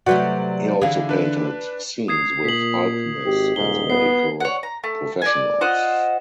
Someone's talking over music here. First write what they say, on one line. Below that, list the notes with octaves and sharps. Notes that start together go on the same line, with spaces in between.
He also painted scenes with alchemists and medical professionals.
C3 F#3 A3 F#4 B4 C5 D5 F#5
D3 E3 G#4 F5
D4 B4
D#6 G#6 C7
A#2 B6 F#7
G#1 G4
D#1 G#2 G7
B3 C7
C#5 F#5
A#5
A3
D5 G#5
F4 C5 D#5 F#5